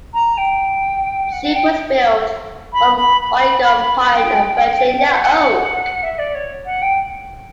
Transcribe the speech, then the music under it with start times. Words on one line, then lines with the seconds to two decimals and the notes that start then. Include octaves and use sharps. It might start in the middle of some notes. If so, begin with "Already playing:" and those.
The ship was built from Oregon pine and Virginia oak.
0.13 A#5
0.37 G5
1.31 F#5
1.43 F#5
1.54 G5
2.73 B5
2.96 B5
3.20 B5
4.14 G5
5.08 F#5
6.03 E5
6.18 D5
6.34 C#5
6.65 F#5
6.81 G5